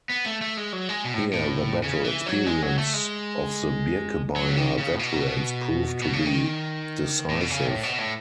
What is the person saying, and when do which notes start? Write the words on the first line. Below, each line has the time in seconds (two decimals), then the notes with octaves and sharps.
Here the battle experience of the Birkebeiner veterans proved to be decisive.
0.10 B3
0.26 A3
0.41 A3
0.57 G#3
0.73 F#3
0.89 G#3
1.05 B2
1.14 A2
1.33 A2
1.83 C#3
2.04 E3
2.26 F#3
2.46 G#3
2.62 F#3
2.78 A3
2.94 G#3
4.36 F#3
4.49 C#3
4.57 D#3
4.78 C#3
4.95 A2
4.99 B2
6.02 B2
6.13 C#3
6.26 D#3
7.29 A2
7.40 B2
7.51 C#3
7.67 A2
7.83 B2
7.98 A2